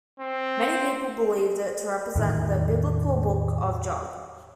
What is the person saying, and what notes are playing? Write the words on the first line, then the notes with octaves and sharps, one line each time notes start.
Many people believed it to represent the biblical Book of Job.
C4
E2 A2 D#3